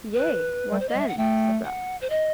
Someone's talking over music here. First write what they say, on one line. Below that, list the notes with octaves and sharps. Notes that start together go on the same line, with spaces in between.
"Yea, what then?" said Ralph.
B4
G3
C5
D#5
G3
E5
F#5
A3 G5
F#5
C5
D#5